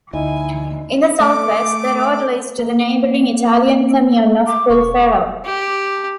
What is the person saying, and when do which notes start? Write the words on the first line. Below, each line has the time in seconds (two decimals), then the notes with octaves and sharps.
In the southwest, the road leads to the neighbouring Italian "comune" of Pulfero.
0.13 D2 D#4 E4 D#5 G#5
1.20 A3 D6
2.59 A#3
4.47 D6
4.70 E1 C#6
5.45 G4